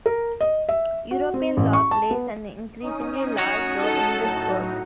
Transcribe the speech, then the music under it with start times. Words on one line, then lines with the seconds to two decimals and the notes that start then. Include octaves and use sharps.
European law plays an increasingly large role in this work.
0.06 A#4
0.41 D#5
0.69 E5
1.11 F#4
1.34 C4
1.57 A1
1.73 C#6
1.91 A5
2.11 B3
2.80 C#4 D#4 D#6
3.38 F#4 C#5
3.79 A4
4.18 A2 F#3 D#4